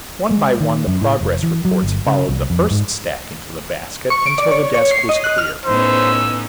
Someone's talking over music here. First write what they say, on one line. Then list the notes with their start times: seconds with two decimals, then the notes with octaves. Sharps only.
One by one the progress reports followed the first stack into the basket, until the desk was clear.
0.31 G#3
0.61 D#3
0.87 F#2
1.01 A2
1.21 F1
1.43 E3
1.65 F#3
1.82 G1
2.06 C#3
2.29 C2
2.50 F2
2.71 G#2
4.10 C#6
4.26 D7
4.38 D5
4.51 C#5
4.74 C#5
4.91 C7
5.09 D#5
5.24 F#6
5.38 F6
5.66 A2 B3 C#4 D#4 C5 E6